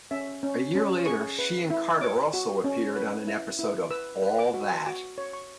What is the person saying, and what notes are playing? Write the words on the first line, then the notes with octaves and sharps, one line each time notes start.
A year later, she and Carter also appeared on an episode of "All That".
C#4 E5
C#4
C#4
G#4 C#6
B4
E4
C#5 D6
F#4
C#4
B4
E4
E4
B4 E6
B4
D6
F#4
F#4 D6
C#5
C#6